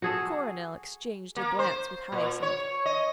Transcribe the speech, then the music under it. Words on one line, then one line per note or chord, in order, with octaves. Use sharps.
Coronel exchanged a glance with Hyacinth.
F#4 G#4 A4
A#3
C5
A#2
C#5
D#5